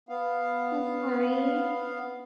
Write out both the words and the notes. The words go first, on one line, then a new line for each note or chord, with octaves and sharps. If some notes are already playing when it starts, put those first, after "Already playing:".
I'm sorry.
B3 F5